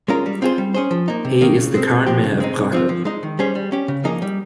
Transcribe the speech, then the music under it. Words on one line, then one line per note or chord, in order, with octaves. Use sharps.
He is the current mayor of Brakel.
G#3 C#4 F4 A#4
G3
C4 F4 G#4 C5
G3
C#4 G#4 C5
F3
A#3 D#4
C3
D#3 A#3
C#3
G#3 C4
C3
F3 C4 G4
C#3
G#3 C4 D#4
C3
F3 C4 F4
F3
G#3 D#4
D#3
G3 C#4 G#4 C5
G3
C#4 G4
C#3
F3 A#3 D#4 G#4
G3